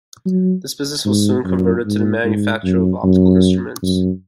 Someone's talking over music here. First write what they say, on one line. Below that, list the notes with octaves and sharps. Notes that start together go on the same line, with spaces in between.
This business was soon converted to the manufacture of optical instruments.
F#3
G#2
F#2
G#2
G#2
F#2
F#2
F#2